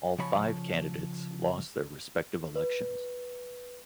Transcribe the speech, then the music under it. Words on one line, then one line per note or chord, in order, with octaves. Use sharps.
All five candidates lost their respective elections.
C#3 F3 C#5 B5
B4